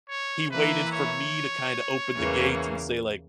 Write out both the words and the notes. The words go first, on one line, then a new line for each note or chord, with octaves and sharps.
he waited for me to kinda open the gates and say, like,
C#5
E3 A#3 E4 B4
C#5
E2 C#3 E3 A#3